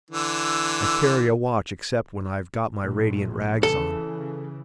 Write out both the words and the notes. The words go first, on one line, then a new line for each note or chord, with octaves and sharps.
"I carry a watch except when I've got my radiant rags on."
D3 E3
A#1 A2
C#3 E3 A4